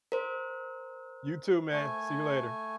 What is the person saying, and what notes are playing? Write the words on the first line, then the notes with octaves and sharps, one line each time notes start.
You too, man. See you later.
A#4 C5
A3 G#5